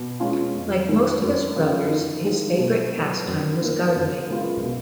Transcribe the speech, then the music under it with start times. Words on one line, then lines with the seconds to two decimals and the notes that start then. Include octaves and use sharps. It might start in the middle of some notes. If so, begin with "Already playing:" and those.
Like most of his brothers, his favorite pastime was gardening.
Already playing: B2
0.20 G#3 C#4 F4
0.54 F2
0.88 D#3 G#3 B3
1.22 F#2
1.56 C#3 F3
1.91 D#3
2.25 G#3 D#4 G#4
2.58 B2
2.92 B3
2.97 F#3
3.27 F#2
3.61 D#3 F#3 A#3
3.95 F#2
4.30 C#3 G#3 B3 F4
4.63 B2